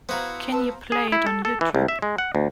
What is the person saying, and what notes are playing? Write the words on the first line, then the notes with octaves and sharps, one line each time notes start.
Can you play it on Youtube?
B3 E4 F#4 A4 C5 F5 A#5 B5
B4 A5 E6
G#4
E4
A4
A4
E3
C2
E5
G#3
F#5
D2